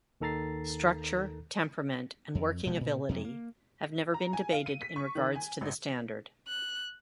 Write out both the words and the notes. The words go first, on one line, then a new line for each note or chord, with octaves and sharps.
Structure, temperament and working ability have never been debated in regards to the standard.
D#2 D#3 A4 A#5 A6 C7
F2
D#1 B2 G#3 B3
A#2 C#3
F2 C3 F#3
A#3
A#5
G#5
F5
D#7
B6
C#6
D#3
G#5
G#1
F#6